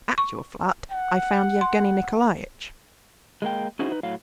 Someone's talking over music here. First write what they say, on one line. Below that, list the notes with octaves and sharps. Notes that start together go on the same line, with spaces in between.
At your flat I found Yevgeny Nikolaitch.
C#6
F#5
C6
G#3 A#3 G5
C#4 D#4 E4 F#4 G#4 C5
D#4 B4
A2 F#3 F5